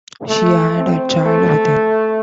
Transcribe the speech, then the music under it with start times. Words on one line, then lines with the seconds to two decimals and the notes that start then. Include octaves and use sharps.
She had a child with him.
0.28 A3
0.77 C4
1.25 A3